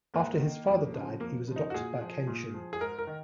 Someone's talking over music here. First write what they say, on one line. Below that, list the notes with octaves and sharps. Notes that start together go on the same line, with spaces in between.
After his father died, he was adopted by Kenshin.
G#2 A#3
D#3
F2
C#3 F3
F2 A#3
C#3 F3
D#4
F#4
A#2 G#4
F3
A#2
F3
G#4
G#2 A#4
A#4
D#3